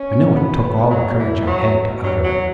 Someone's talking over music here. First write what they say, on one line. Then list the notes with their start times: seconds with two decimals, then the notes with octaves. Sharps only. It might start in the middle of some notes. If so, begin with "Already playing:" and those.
I know it took all the courage I had to utter it.
Already playing: C#4
0.12 B2
0.33 B2 B3
0.55 B2
0.62 B3
0.76 B2
0.91 F#3
0.98 B2
1.19 B2 E3
1.40 B2
1.47 F#3
1.61 B2
1.83 B2
2.03 B2 F#3
2.15 E3
2.25 B2 F#3